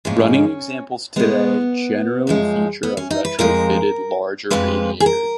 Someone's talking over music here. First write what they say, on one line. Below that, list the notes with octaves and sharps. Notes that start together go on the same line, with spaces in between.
Running examples today generally feature a retrofitted larger radiator.
G#2 F3 G#3 C#4
B2 G#3 B3
F#2 F3 G#3
B3
C#4
D#4
B4
F2 F3 G#3 A#4
F2 F3 G#3 B4
G#4
A#4